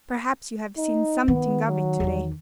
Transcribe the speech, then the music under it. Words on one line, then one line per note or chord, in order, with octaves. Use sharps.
Perhaps you have seen something of it to-day.'
D#4
D#3 B3
F#3
E2 D#3